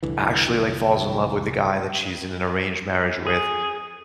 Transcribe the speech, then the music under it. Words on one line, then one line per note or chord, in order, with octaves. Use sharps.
Actually, like, falls in love with the guy that she's in an arranged marriage with,
F1 C2 D3 E3
G#4